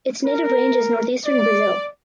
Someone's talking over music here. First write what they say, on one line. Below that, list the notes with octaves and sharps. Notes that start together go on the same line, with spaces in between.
Its native range is Northeastern Brazil.
A#4
D5